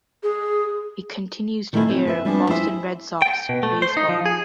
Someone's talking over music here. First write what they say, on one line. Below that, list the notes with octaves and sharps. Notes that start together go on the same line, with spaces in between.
It continues to air Boston Red Sox baseball.
G#4
D#3 F3 A3 D#4 E4 G#4
C4
G#4 B4 E5
F3 G3 B3 C4 D4 G#4
E4 G4 G#4 C5 E5
G5
B2
A3
C5
D#4
F3
G#4